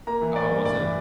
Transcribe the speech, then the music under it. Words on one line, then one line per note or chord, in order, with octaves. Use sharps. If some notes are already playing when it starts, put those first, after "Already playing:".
Oh, was it?
A#3 A#5
E3
A#3 D5
G2
A2 D5
E3